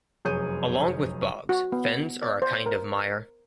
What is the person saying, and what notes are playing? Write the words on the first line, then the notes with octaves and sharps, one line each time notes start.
Along with bogs, fens are a kind of mire.
F1 F#2 G#4 C#5 G6 D#7
F#4
B3
D5
C5
A#4